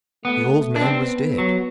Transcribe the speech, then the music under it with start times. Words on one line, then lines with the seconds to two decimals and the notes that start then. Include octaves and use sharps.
The old man was dead.
0.24 A3 B3
0.76 D4
0.81 B3 C4
1.38 F#3